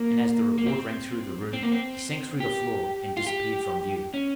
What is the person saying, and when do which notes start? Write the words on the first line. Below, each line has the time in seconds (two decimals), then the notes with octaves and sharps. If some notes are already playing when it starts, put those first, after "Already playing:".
And as the report rang through the room, he sank through the floor, and disappeared from view.
Already playing: A#3
0.58 A#3
0.66 C4
1.53 C4
1.63 A#3
1.72 C4
2.40 G4
3.17 F4
3.27 G4
4.14 C#4